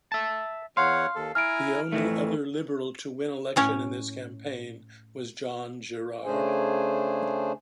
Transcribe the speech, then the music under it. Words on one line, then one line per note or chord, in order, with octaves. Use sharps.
The only other Liberal to win election in this campaign was Jon Gerrard.
E5 A5
E2 C#5 F5 F#5 C6
D#2 A4
E4 G#5 A#5 F6 D7
F2 E3 A3
A2 C#4 C#5
C#3 A3 D4 G#4 C5 G#5